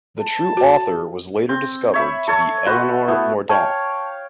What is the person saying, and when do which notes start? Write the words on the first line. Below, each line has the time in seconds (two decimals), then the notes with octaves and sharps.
The true author was later discovered to be Elinor Mordaunt.
0.21 A5
0.57 F#4
1.49 C4
1.94 C#5 E5 B5
2.28 A4 C#5
2.66 F#4 B4 C5
3.07 A3 B3 E4
3.49 C#5 F5 G5 A5